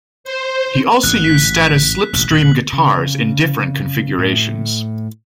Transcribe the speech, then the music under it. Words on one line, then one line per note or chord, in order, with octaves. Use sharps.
He also used Status Slipstream guitars in different configurations.
C5
A1 G#2 F#6
B6
E1 A1 D#2
D#1 A2 F#7
C#3
A2